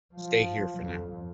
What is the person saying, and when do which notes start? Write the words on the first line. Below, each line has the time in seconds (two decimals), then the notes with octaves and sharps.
Stay here for now.
0.14 F3
0.79 F2